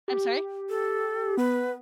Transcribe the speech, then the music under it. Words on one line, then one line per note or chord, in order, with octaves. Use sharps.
I'm sorry?
G4
A4
B3 B4